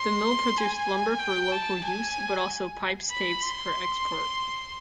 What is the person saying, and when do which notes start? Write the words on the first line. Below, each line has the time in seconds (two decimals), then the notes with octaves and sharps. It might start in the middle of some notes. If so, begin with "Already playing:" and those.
The mill produced lumber for local use, but also pipe-staves for export.
Already playing: C6
0.57 G#5
1.21 G5
1.52 A5
1.84 G#5
3.11 B5
3.43 C6